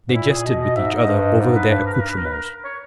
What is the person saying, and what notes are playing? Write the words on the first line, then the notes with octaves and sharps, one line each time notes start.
They jested with each other over their accoutrements.
G#2
A#2 E4
G#4
B2 D#5
D#5
G#2 E5
D#5
G2
D#5
G#2
B4
G2 B4
A#4
B4
A#4
B4
A#4
B4
A#4
C#5